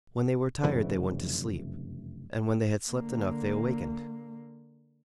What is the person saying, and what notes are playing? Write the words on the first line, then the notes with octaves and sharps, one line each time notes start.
When they were tired they went to sleep, and when they had slept enough they awakened.
F1 F#2 C#3 E3
D3 A#3